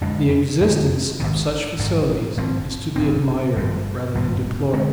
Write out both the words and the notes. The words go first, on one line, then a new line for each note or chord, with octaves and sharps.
The existence of such facilities is to be admired rather than deplored.
F2 D3 G#3 D4
F2 D3 G#3 D4
G#1 G#2 D#3
G#1 G#2 D#3
G#1 G2 F3 C4
G#1 G2 F3 C4
G#1 G2 F3
G#1 G2 F3
D3 G#3 C4